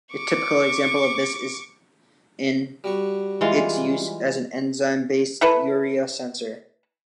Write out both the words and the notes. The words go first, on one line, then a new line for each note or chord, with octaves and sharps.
A typical example of this is in its use as an enzyme-based urea sensor.
C#6 D6
G3 F#4 F#5
E3 G#3 F4
E4 A4 B4